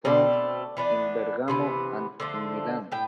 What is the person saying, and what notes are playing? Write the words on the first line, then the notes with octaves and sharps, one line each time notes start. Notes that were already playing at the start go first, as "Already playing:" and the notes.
Formed in Bergamo and in Milan.
B2 A3 C4 D5
E3 B3 D4
C3 E3 B3
D3 F3 A3
A2 G5